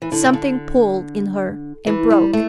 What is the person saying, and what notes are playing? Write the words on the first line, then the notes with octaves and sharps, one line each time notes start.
Something pulled in her--and broke.
E3
D3
C#3
D3
E3
G3
A3